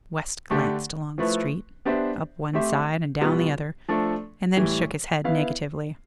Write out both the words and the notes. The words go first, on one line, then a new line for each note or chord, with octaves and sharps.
West glanced along the street--up one side and down the other--and then shook his head negatively.
D3 A3 D4 G4
F3 A3 E4 B4
B3 D4 G4 C5 E5
A3 C4 G4 C5 E5
B2 G3 B3 F4
F3 A3 D4 A4
A2 E3 G3
B3 E4 B4 F5